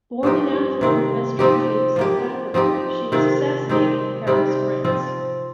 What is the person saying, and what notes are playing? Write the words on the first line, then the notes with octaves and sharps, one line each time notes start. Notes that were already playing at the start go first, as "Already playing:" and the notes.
Born in Athlone, Western Cape, South Africa, she was assassinated in Paris, France.
G2 F3 D#4 G4
C3 D#3 C4
F3 C4 D#4 G4
F3 A#3 G4
F3 C4 D#4 G4
C3 D#3 C4 F4
D#3 C4 D#4 G4
C3 G3 C4 D#4
F3 C4 F4